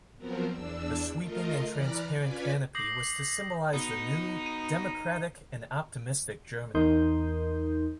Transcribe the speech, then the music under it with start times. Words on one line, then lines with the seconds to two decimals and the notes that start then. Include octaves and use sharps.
The sweeping and transparent canopy was to symbolize the new, democratic and optimistic Germany.
0.17 F3 F#3 B3 C4 A#4
0.48 E2 D4 E6
1.17 A3 F4 A#4 D#5
1.70 E3 D5 A#5 B5 F6 F#6
2.17 C#4 F4 B4 D5 G#5 B5
2.75 D6 D#6 G6 A#6 C7 F#7
3.73 B2 B3 D#4
4.46 D#7
6.75 E2 D#4 A#4 C6 D#6 G6